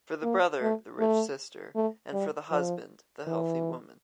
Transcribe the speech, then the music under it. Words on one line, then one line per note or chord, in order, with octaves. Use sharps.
For the brother, the rich sister, and for the husband, the healthy woman.
A#3
A3
A3
A3
G3
F3
E3